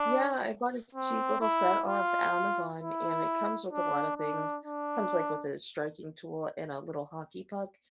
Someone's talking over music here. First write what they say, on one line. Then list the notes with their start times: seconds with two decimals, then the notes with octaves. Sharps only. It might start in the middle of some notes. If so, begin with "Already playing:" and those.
Yeah, I bought a cheap little set off Amazon and it comes with a lot of things; comes, like, with a striking tool and a little hockey puck
Already playing: D4
0.95 C4
1.40 E4
1.87 F4
2.79 E4
3.71 D4
4.17 D4
4.63 D4